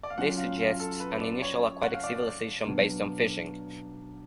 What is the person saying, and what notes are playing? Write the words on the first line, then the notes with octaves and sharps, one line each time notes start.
This suggests an initial aquatic civilisation based on fishing.
D5
F5
F#3 C#4 F4 F#5
F5
F5
A4
B4
D5
C#5
F#5
F5
D5
B2 F#3 B3 D4